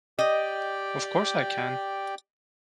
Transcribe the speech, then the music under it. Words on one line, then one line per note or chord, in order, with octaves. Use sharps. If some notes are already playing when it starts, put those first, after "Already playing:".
Of course I can!
G4 D5 D#5 G5